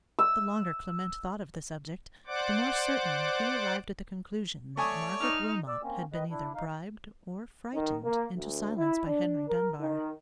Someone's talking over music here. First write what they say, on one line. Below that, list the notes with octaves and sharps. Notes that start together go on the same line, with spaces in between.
The longer Clement thought of the subject, the more certainly he arrived at the conclusion that Margaret Wilmot had been, either bribed or frightened into silence by Henry Dunbar.
E6
C5 D5 F#5 D6
A3 C#5 D5 G#5 C#6 D#6
D#4 F6
D5 E6
A#3 C4 C#4
D#3 B4 D#5
D4 E4
D#4 F5
D#3
A#3
D2
E4
D4
A#4
D#3